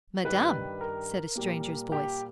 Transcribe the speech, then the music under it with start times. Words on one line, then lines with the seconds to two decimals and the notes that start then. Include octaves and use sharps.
"Madame!..." said a stranger's voice.
0.25 G2 D#3 G3 B4
0.81 A#4
1.35 A#2 G3 A#3
1.92 G4